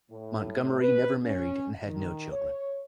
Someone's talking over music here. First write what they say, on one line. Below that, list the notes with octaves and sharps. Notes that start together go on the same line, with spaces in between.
Montgomery never married, and had no children.
A2
B4
C#4
D#3
C#5